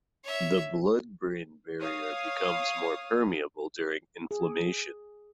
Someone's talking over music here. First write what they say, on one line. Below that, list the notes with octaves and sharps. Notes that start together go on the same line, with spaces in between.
The blood-brain barrier becomes more permeable during inflammation.
C#5 E5
C#5 F5 D#6 C7
G#4